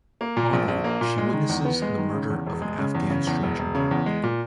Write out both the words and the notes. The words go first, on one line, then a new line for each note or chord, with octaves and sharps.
En route, she witnesses the murder of an Afghan stranger.
A#3
A#2
A#1
A#1
A#3
A#2
G#3
D#3
E2
B3
G#3
D#3
C#3
E2
E1
G#3
C#3
E2
C#3
E2
E1
E1
C#3
E2
G#3
A#2